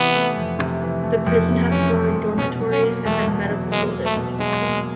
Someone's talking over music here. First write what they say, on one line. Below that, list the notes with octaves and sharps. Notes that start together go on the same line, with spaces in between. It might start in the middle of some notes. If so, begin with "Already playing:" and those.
The prison has four dormitories and a medical building.
Already playing: C3 E3 B3
A3
F2
C3
E3
A3
F2
C3
E3 C#4
A3
F2
B2 C#4
F#3
C#4
A#3
E2 A3
B2
F#3
G#3 A#3
E2
A3
B2
F#3 G#3
A#3